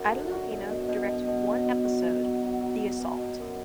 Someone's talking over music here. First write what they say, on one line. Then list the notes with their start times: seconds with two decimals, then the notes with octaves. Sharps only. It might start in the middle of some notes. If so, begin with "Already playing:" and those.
Ida Lupino directed one episode, "The Assault".
Already playing: F#2 F#3
0.12 D3
0.31 F#3 F#4
0.50 B2
0.70 B2
0.89 B2
1.08 B2
1.27 B2
1.46 F#3
1.65 B2
1.84 F#3 F#4
2.04 F#3
2.23 F#3
2.43 F#3
2.61 F#3
2.81 F#3
3.00 B2
3.19 B2
3.39 F#2